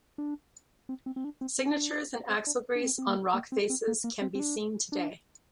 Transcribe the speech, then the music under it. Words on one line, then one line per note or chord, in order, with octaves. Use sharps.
Signatures in axle grease on rock faces can be seen today.
D4
C4
C4
C4
D4
C4
C4
D4
C4
D4
D4
C4
C4
A#3
A#3
C4
C4
A#3
A#3
C4
C4
D4
D4